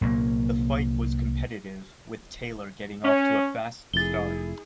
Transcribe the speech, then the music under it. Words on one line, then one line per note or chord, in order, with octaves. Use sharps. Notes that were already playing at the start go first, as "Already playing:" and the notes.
The fight was competitive, with Taylor getting off to a fast start.
C2 A#2 F#3 A#3
C#4
F1 F2 E4 G#4 A6 G7